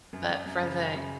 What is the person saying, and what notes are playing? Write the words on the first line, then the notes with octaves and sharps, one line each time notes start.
But, for the
F#2
F#2
F#2
C#3
F#2
C#3